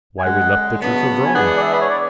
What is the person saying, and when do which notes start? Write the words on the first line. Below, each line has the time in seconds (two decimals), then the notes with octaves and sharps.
Why we left the church of Rome.
0.19 G#5
0.24 F#2 D3 G#3 F#5
0.79 C#3 F#3 B3 D4
1.26 G#5
1.34 E3 G#3 B3 D4 G#4 F#5
1.57 D5
1.62 E5
1.73 B4
1.81 C#5
1.90 D5